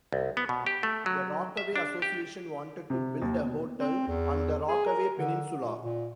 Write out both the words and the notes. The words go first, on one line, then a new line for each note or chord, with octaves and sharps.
The Rockaway Association wanted to build a hotel on the Rockaway peninsula.
C2
B3
B2
G4
A3
F#3
E5
D4
G4
C3
D#2
B2
C4
E2
G#4
A#4
D3
A#2
A#2